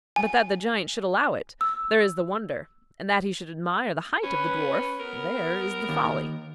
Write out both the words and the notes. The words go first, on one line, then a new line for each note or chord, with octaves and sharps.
But that the giant should allow it, there is the wonder; and that he should admire the height of the dwarf, there is the folly.
G#5
E6
C#4 B4
B3 A#4
D#2